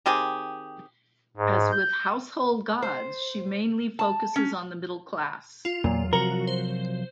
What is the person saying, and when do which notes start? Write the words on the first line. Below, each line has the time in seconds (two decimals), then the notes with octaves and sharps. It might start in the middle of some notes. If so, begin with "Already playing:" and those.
As with "Household Gods" she mainly focuses on the middle class.
0.06 D#3 C4 G4 G#4
1.37 G#2
1.71 G6
2.82 C5
3.99 A5
4.36 C#4
5.65 F4
5.84 E2 A#2 F#3
6.13 C3 F3 F#3 F#4 A#4
6.47 C5